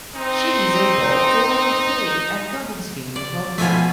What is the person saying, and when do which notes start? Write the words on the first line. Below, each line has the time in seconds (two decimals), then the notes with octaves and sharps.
She is able to locate Philippe and convince him to help her.
0.15 C4 D#4
3.16 D5
3.58 B2 E3 F3 A3 F4 G#5 B6